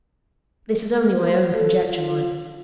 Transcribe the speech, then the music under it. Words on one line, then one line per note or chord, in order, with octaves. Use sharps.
This is only my own conjecture, mind.
C5
A4
F4